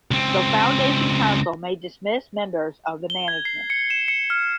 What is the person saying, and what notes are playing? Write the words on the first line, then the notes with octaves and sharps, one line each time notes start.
The Foundation Council may dismiss members of the management.
C#2 C4
G7
G#6
C7
C#7
E7
C#7
F6